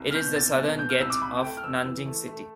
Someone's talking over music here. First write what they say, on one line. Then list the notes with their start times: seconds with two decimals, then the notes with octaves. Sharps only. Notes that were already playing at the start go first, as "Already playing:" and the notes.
It is the southern gate of Nanjing city.
Already playing: C2
0.11 F6
0.15 B2 G6
0.36 C2 A6
0.58 B2
0.79 B2 G6
0.90 F6
1.00 C2 E6
1.10 D6
1.21 C2 B5
1.42 A3 G5
1.57 F6
1.64 F2 E6
1.84 E3
2.06 A3
2.28 A3